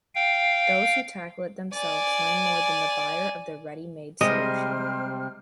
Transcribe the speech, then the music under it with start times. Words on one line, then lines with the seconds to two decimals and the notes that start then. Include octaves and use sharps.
Those who tackle it themselves learn more than the buyer of the ready-made solution.
0.15 F5 G5
1.75 D5 G#5
4.21 C3 G3 G#3 C5 D#5 F6